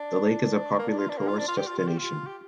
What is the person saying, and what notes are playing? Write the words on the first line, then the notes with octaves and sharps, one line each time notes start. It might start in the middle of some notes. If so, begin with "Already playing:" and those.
The lake is a popular tourist destination.
Already playing: D4
A#3
D4
F4
D4
A#3
F4
D4
F4
G4
F4
F4
G4
F4
G4